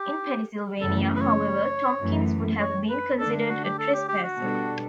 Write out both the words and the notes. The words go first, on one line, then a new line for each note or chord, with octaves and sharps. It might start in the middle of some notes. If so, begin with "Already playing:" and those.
In Pennsylvania, however, Tompkins would have been considered a trespasser.
Already playing: G4
F#2 C#3 E3 A3 A4
B4
C#5
F#2 E3 A3
C#5
B4
D3 A3 D4 A4
F#4
G4
A4
G4
G4
F#4
B2 G3 D4 A4